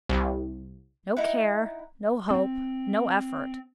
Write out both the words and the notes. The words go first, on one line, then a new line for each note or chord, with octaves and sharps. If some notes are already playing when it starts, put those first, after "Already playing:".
No care--no hope--no effort.
C2
D#4 E4 F#5
C4